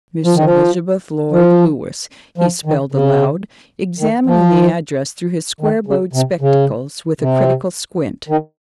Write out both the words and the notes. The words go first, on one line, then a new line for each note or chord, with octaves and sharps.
"Miss Elizabeth Lloyd Lewis," he spelled aloud, examining the address through his square-bowed spectacles with a critical squint.
F3
D#3
F3
F3
F3
D#3
C#3
D#3
F3
D#3
C#3
C3
C#3
C3
D#3